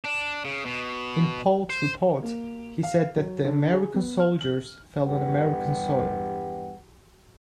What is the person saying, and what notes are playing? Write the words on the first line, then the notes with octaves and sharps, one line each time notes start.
In Polk's report, he said that the American soldiers fell on American soil.
D4
C#3
B2
C5
A#3
F5
F#3
D3
G#4
B3
F6
F#7
E2 G2 G3 G4 B4 F#5